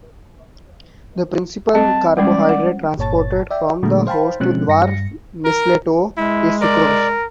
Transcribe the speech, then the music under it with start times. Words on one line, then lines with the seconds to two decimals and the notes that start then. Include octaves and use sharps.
The principal carbohydrate transported from the host to dwarf mistletoe is sucrose.
1.73 G3 C4 D#5 A5
2.17 G3 G#3 C#4 D5
2.49 F#5
2.98 G1 A#2 C#5 A5 A6
3.50 D5 E5 G5
3.83 A#2 D3 F#3 G#3 A3
4.07 C5 F5 G5 A5 B5
4.40 B2 F3 G#3 C4 C#4 F#6
4.68 G2 A#6 C#7
5.45 A#4
6.18 G#3 E4
6.61 A#4 D5